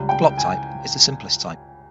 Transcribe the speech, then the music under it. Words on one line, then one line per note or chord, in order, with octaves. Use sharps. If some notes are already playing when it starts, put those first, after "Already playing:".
The block type is the simplest type.
Already playing: C#2 C#3 G3
G5
G#5